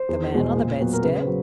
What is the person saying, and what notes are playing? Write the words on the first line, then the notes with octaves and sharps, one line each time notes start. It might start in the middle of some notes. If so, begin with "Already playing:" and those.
"The man on the bedstead?"
Already playing: C5
E2
B2 G#3 B3
A#2
F#3 B3
A#4
C#3 B4
C5
F#3